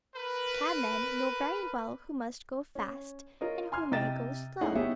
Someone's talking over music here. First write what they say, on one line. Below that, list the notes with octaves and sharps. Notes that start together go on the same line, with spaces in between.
Cabmen know very well who must go fast, and who may go slow.
A#4 B4
C#4
F4 A#4 C#5 D#5
G#5 C6 F6 G#6
C3 D#5 G5 A#5 A6 E7
A3 C#4 D#4 E4 G#4 F#5
B3 D#4 G4 G#4 C#5 E5